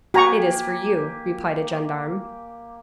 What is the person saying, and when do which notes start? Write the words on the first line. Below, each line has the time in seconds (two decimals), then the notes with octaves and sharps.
"It is for you," replied a gendarme.
0.14 A#3 F#4 G4 G#5 A#5 C#6